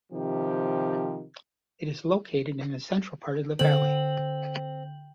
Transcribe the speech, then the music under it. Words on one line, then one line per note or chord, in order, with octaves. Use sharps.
It is located in the central part of the Valley.
C3 D#3 F3 G4
D3 C4 F#7